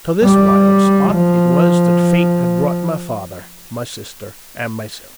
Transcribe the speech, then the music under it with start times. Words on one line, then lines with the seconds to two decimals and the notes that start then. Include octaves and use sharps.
To this wild spot it was that Fate had brought my father, my sister, and myself.
0.23 G3
1.12 F3